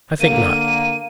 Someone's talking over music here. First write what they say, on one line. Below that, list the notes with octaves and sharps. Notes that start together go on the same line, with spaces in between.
I think not.
D3 A#3 D#7